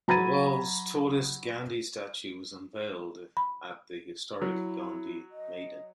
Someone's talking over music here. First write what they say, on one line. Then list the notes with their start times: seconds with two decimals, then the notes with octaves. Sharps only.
The world's tallest Gandhi statue was unveiled at the historic Gandhi Maidan.
0.08 F#3 A#5 B5 G#6 A6 D#7
3.37 B5
4.42 F#3 E4
5.31 D#5